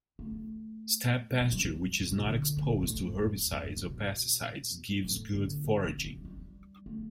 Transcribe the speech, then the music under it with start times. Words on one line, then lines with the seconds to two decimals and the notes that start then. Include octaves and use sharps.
Steppe pasture which is not exposed to herbicides or pesticides gives good foraging.
0.19 A3
1.40 G3
1.52 E3
1.64 G3
2.01 D3
2.11 B2
2.22 D3
2.57 A2
2.62 B2
2.82 A2
3.03 G2
3.23 E2
3.52 G2
3.77 D3
3.83 B2
5.04 A2
5.33 D3
5.65 B2
5.85 D3
6.05 G3
6.25 G3
6.86 A3